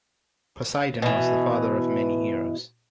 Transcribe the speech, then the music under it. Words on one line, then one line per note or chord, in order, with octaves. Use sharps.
Poseidon was the father of many heroes.
B2 E3